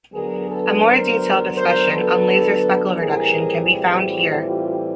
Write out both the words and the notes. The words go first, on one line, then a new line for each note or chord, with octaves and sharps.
A more detailed discussion on laser speckle reduction can be found here.
D2 D3 F#3 B3 G#4 A#4
A4 B4
A#4 C5
A#4 C5
A4 B4
A2 E3 G3 C4 G#4 A#4
F#4 G#4
F4 G4